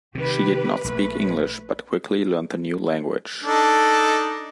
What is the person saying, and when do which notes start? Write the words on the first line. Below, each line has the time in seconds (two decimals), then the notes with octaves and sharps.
She did not speak English but quickly learned the new language.
0.15 C3 D#3 G4 B4
0.84 A#1 A3 B4
3.44 D4 D#4 A4